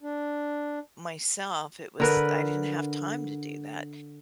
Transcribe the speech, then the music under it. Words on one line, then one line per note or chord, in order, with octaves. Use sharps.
myself, it was, I didn't have time to do that.
D4
D3 A#4 B4